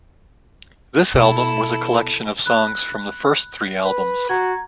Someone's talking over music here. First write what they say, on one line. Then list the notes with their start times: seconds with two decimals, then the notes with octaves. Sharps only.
This album was a collection of songs from the first three albums.
1.14 B2 E4 A4
2.46 B5 F#6
3.85 B4
4.29 F#4 A#5 G#6